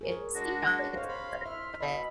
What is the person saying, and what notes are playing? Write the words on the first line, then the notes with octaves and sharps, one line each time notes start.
it's you know, it's hard, but I
G#4 A#4 C#5
G#3 D4 F#4 A#6
C5 C#5 F5
F5 B5 C6
E5 F6
B2 D#5 B5